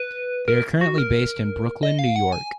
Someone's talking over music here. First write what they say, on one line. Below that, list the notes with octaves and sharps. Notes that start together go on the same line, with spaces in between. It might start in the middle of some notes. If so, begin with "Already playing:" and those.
They are currently based in Brooklyn, New York.
Already playing: B4
A#4
F#4
A#4
D#5
F5
F#5
G#5